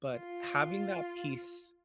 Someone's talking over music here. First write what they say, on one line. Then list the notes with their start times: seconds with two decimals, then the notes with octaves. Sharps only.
but having that piece
0.14 F4